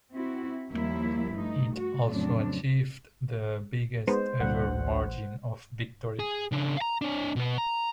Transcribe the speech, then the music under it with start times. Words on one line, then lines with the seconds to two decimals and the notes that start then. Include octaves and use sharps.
It also achieved the biggest ever margin of victory.
0.12 C4 E4 F#4
0.72 D#2 F3 G3 A#3 E4
1.34 G2 A3 D#4
1.76 F#4
2.10 F2 A2 C#3 F#3 C4 D4
4.07 G#3 B3 D#4 C5
4.41 D2 B2 G3 A#3 F#5
4.68 A1
6.19 G#4
6.52 C#3 D4
6.77 F5 A#5
7.02 D4 C#5
7.36 B2 B3
7.58 A#5